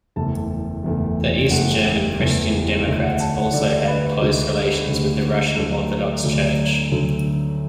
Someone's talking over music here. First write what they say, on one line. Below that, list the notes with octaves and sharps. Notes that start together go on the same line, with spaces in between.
The East German Christian Democrats also had close relations with the Russian Orthodox Church.
F#1 E2 E3 A3 A5
F#1 E2 E3 A3
F#1 E2 E3 A3 F#5
F#1 E2 E3 A3
D2 D3 A3 E5
F#5
A5
F#5
D2 D3 A3 D5
B4
D2 D3 A3 F#4
D2 D3 A3
D2 D3 F#3 A3 A4
D2 D3 F#3 A3
D2 D3 F#3 A3